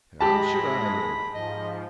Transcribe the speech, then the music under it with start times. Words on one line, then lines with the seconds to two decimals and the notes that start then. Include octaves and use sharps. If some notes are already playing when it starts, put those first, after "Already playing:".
'How should I know?
0.21 G#2 G#3 G4 A5 B5 A#6
1.34 G#2 F3 D#5